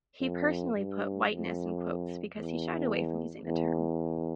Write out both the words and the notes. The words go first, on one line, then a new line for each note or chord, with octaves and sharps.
He personally put "whiteness" in quotes because he shied away from using the term.
F2
G2
F2
E2
E2